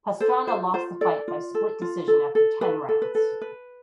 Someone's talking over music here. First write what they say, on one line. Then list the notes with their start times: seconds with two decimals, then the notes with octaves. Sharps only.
Pastrana lost the fight by split decision after ten rounds.
0.20 A4 C5
0.47 F4 C5
0.74 F4 C5
1.01 A4 D5
1.28 F4
1.55 A4
1.82 F4
2.08 A4
2.35 A4
2.61 A4 B4
2.89 A4
3.02 B4
3.15 A4
3.42 B4